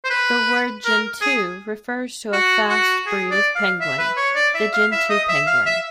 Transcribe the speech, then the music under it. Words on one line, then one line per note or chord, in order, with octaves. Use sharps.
The word "gentoo" refers to a fast breed of penguin, the gentoo penguin.
C5
B4
A#4
G#4
F#4
F#4
G#4
D5
F5
E5
B4
C#5
D5
E5
F5
E5
D#5
E5
F5
E5